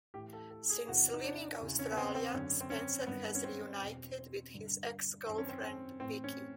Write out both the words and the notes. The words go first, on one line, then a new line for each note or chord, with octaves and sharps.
Since living Australia, Spencer has reunited with his ex-girlfriend Vicki.
A2 E3 G4
A4
A4
G#4
E2 C3 E3 F#4
D#4
D4
E2 C#3 E3
C#4
B3
C4
C4
F#2 D3 C#4
C4
C#4
G2 D#3 B3
C#4
C4
E2 B2
G2 D3
F#2 D#3 C4
C#4
C4
C4
A2 E3 C4
C#4